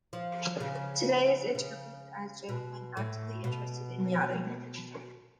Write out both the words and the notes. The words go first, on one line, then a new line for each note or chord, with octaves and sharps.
Today this is interpreted as a gentleman "actively interested in yachting".
F3
C#3
C#3
B2
A2
B2